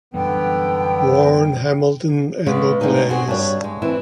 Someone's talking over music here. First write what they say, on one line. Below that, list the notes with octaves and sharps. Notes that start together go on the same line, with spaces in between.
Warren, Hamilton and Auglaize.
F#2 D3 E3 G3 B3 G5
C#3 G#3 B3
A2 D3 C4 C#4 D#4
C4 F#4 G#4
G2 D4 C#5
G#3
E3 C4 E4